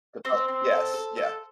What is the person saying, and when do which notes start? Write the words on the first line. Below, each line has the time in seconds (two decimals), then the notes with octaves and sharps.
put up yes, yeah,
0.25 C4 C5
0.48 C4
0.71 A4
0.94 A4
1.17 A4